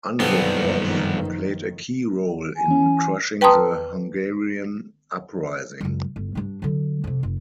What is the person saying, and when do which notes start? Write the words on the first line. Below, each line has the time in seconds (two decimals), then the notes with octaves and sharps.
Andropov played a key role in crushing the Hungarian uprising.
0.20 F#1 B1 G2 D3 D#3 F3 B3 C4
2.56 G#5
2.68 E3 C#4
3.41 B4 G5 A5 A#5 C6 D#6
5.81 C#2 F#2
6.16 G1
6.35 G2 D4
6.62 D3 F#3
7.04 F2 C3
7.23 F#1